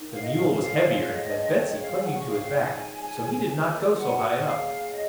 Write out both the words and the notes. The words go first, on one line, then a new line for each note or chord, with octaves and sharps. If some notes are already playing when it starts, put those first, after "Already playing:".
The mule was heavier and had Betsy clinging to his back, so he did not go so high up.
Already playing: D#3 D#4
F#3 F5
D#5
F5
C#4
F4 F5
C#3
F5
F3 D#5
C4
C#3 C#5
D#5
C#5
C#3 F5
G#5
G#3 F#5
C#6
C4 F5
F5
D#4 G#5
F3
C#3
F3
A#3
F#2
F#3 F#5
C#4
C#3 F5
C#3
F3 D#5